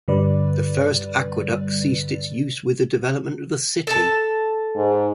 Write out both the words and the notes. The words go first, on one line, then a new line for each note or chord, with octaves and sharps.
This first aqueduct ceased its use with the development of the city.
G2 D3 G3 B4 D5
A4 A5
G#2